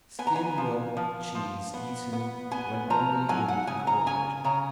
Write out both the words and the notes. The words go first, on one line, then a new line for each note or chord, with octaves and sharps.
Skim-milk cheese eaten when only a week old.
B3 G#5
A#5
G#5
F3
F3
F3
B3
B3
B3 G#5
F3 A#5
F#3 G#5
F#5
C#3 G#5
A#5
C#3 G#5
C#3 A#5